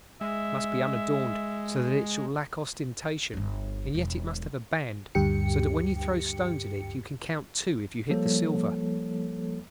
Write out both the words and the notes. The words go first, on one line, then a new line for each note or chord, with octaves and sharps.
It must be unadorned, so that it shall lack ostentation, and yet it must have a band, so that when you throw stones at it you can count two if you hit the silver.
G#3 E5
D1 G1
E1
D2 G2 G4 G5 C#7
F3 G3 A#3 A4 C#5